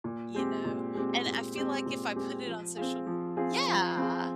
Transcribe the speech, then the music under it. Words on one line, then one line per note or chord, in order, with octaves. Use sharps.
You know? And I feel like if I put it on social m Yeah!
A#2
G#3 C4 G4
A#2
G#3 C4 G4
A#2
G#3 C4 G4
A#2
G#3 C4 G4
F3
C4 F4 G#4
F3
C4 F4 G#4
F3
C4 F4 G#4